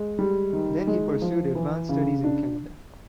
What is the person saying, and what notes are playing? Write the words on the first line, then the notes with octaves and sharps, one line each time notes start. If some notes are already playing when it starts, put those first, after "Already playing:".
Then he pursued advanced studies in Canada.
Already playing: G#3
G3
D#3
G#3
F3
E3
C#3
D4